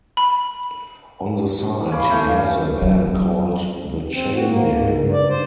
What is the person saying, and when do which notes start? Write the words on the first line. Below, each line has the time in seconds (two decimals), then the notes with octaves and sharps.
On the side, he has a band called The Chane Gang.
0.17 B5
1.92 C#4 F5 B5 D6
2.10 A3
2.82 F#3
4.13 C4
4.35 F#4
4.48 A#3
4.76 G#2
5.01 G2
5.13 D5
5.29 C5